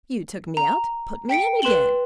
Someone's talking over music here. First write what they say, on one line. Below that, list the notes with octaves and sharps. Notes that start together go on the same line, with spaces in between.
"You took me out--put me in again."
A#5
G5 B6 C#7 D7
B4 C6 E7 F#7 G7